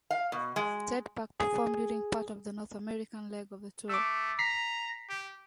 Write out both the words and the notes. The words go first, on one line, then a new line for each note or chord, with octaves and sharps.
Ted Park performed during part of the North American leg of the tour.
F5
B2
G#3
G#4
A3 D6 E6
A#5 B6 C7
G4